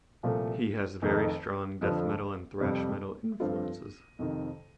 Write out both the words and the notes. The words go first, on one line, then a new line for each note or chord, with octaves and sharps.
He has very strong death metal and thrash metal influences.
C2 A#2 F3 A3
F1 F2 D#3 A3 D#4
F2 D3 F3
F2 C3 G3 C4 G4
G2 F3 C4 F4 A4
F2 C3 D#3